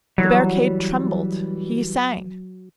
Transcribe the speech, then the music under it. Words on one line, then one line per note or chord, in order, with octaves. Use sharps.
The barricade trembled; he sang.
E3 F#3 G3